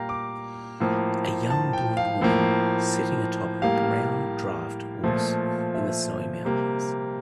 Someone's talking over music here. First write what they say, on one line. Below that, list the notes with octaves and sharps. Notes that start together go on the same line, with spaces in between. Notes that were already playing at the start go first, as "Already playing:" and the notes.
A young blond woman sitting atop a brown draft horse in the snowy mountains.
Already playing: A#2 G3 A#3 F5 G5 A#5
D6
A2 F3 A#3
A5
G5
F5
A2 F3 A#3
A2 G3 A#3 F5
A#2 F3 A3
E5
C3 G3 A#3